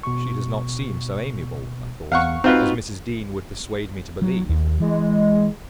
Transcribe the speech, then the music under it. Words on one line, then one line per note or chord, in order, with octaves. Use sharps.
'She does not seem so amiable,' I thought, 'as Mrs. Dean would persuade me to believe.
B2 C#6
E2 F5 F#5 C#6
C4 D#4 F4 F#4 B4 C#6
F#3
D#2
E3 G#3